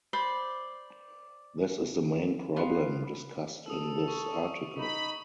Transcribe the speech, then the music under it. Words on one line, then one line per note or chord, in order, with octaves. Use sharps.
This is the main problem discussed in this article.
C5 D5 B5
B3 F4
A4 D#6 E6
C#6
D#4 B5